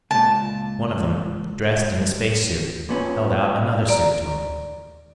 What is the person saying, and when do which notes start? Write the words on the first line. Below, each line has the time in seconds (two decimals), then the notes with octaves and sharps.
One of them, dressed in a spacesuit, held out another suit to him.
0.11 C#2 A#2 A5
2.89 A#2 B3 C#4
3.89 D5 A#5